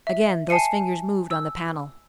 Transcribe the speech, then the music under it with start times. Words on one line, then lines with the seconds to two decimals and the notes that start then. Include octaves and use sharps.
Again those fingers moved on the panel.
0.07 E5
0.49 G#5 A5 C7 C#7 D#7
1.31 E6